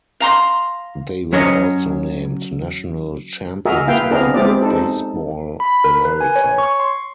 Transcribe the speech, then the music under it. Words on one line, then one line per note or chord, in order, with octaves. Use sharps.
They were also named National Champions by Baseball America.
F5 A#5 C6
F#3 C#4 C#5 D#5
F#4 G#4 A#4 D#5 E5
A#3 E4 B4 F5 G5
B3 C4 D4 E4 G#4 A#4
G#3 C4 E4 G4 G#4 D5
D#4 A4
B5
A#4
B4
G#5
C#5
C#6
C6